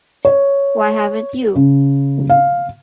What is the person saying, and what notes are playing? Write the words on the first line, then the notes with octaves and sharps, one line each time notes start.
Why haven't you?
C#5
C#3
F5